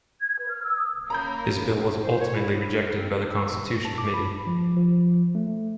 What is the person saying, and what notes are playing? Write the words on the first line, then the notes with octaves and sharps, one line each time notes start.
His bill was ultimately rejected by the Constitution committee.
G#6
B4
F6
E6
D#6
A#3 C#4 A#4 A#5 B5 G6
C5
C#5
E4
E4
A#4
C4
E6
A5
D6
B5
F3
F3
A3